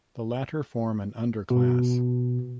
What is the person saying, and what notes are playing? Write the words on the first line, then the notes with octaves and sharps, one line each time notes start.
The latter form an underclass.
B2